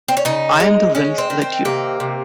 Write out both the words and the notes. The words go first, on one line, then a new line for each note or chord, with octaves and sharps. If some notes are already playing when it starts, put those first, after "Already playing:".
I'm the "Rennleiter"'.
C4
C#4
C#3 D#4
G#3
G#3 C#4
C4
D#3
C4
C3 A#3
C3